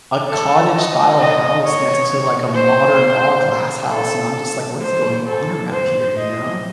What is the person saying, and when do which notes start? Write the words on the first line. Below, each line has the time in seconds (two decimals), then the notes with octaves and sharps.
a cottage style house next to, like, a modern, all glass house, and I'm just, like, "What is going on around here," you know?
0.29 A4
0.75 D#5
1.19 D#5
1.65 C#5
2.55 C5
3.90 A4
4.81 C5
5.26 A4
5.71 C5
6.16 D#5